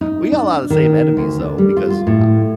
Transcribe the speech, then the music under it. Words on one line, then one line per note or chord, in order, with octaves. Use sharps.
we got a lot of the same enemies, though, because I
D#4
D4
D#3
D2
D4
G3
F4
F4
A2